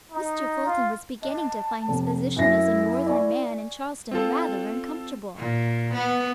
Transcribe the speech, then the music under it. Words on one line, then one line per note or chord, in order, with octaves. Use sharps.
Mr. Fulton was beginning to find his position as a northern man in Charleston rather uncomfortable.
D#4
F4
D#5 A5
F1
F#2 E4 E5 A#6
D5 G#5 C#6
C4 F4 A4
A#2
B3